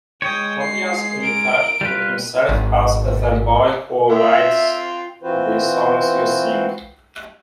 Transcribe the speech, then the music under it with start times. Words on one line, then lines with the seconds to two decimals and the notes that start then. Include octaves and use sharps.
Tobias referred to himself as the boy who writes the songs you sing.
0.22 G#3 C#5 G5 D#6
0.60 C7
1.20 A#4 D7
1.81 G3 F4 B4
2.49 G#1
4.10 F4 E5 G5
5.22 E3 C4 F4 F#4 B4 C5